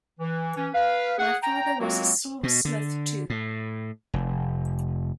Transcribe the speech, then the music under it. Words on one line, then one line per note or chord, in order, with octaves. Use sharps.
My father was a silversmith, too.
E3
E3 C#4
B4 F5
G#4 F#5
G5 A#5
F#3 G#3 A#3 C4 F4 F#4
B2
D3
A2
F1